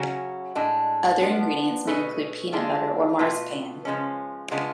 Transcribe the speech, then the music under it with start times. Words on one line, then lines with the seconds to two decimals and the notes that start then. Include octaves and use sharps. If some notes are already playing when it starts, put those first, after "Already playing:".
Other ingredients may include peanut butter or marzipan.
Already playing: C#3 F#3 C#4 F#4
0.55 A2 G#3 D4
1.21 F3 B3 D4
1.87 B2 A3 C#4 G#4 B4
2.53 D3 G#3 D4 F4 G#4
3.19 B2 A3 F4 B4
3.85 C#3 F3 G#3 C#4
4.51 C#3 G#3 B3 D4 F4